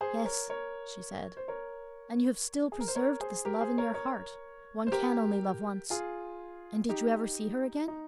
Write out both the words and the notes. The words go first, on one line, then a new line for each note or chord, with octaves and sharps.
"Yes," she said, "and you have still preserved this love in your heart--one can only love once--and did you ever see her again?"
G#4 C5
A#4 C#5
A#4 C#5
C5
A#4 C#5
G#4
A#4
C5
A#4 C#5
G#4 C5
G4 A#4
G#4 C5
A#4 C#5
A#4 C#5
C5
G4 A#4
F4 G#4
D#4 G4
D#4